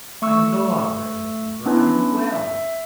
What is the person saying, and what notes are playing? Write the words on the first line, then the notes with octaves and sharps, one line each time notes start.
I have no longer any fever; I am well.
A3 C#6 E6
B3 C#4 D4 E4 B4
E5